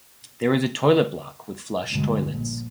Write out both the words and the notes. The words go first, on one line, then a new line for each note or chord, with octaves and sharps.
There is a toilet block with flush toilets.
D2 G2 B2 D3 G#3
A#1 A#2